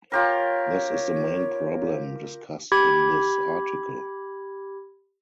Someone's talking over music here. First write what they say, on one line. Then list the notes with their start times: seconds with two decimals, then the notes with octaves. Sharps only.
This is the main problem discussed in this article.
0.12 F4 G4 A#4 C#5
2.72 G4 B5 G#6